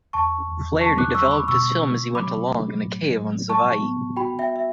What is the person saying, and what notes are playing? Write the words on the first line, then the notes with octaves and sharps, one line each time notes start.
Flaherty developed his film as he went along, in a cave on Savai'i.
E2 A5 C#6
E2
D3 A5 C#6
D6 F#6
G3 C#6 E6
B5 D6
B2 C#6 E6
B2
F#3 B5 D6
A3
A2
A2
G3 A5 C#6
B3
F#4 G5 B5
E5 G5
E5